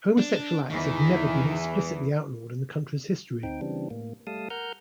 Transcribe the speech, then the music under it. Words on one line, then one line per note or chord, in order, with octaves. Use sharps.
Homosexual acts have never been explicitly outlawed in the country's history.
D4
E2 D#3 E3
D2 C4 D#4 G5
C#3 E3 G3 C4 D4
A2 A#3
G3 A3 F5 A5 D#6
A#4 F#5 A#5 F6 G6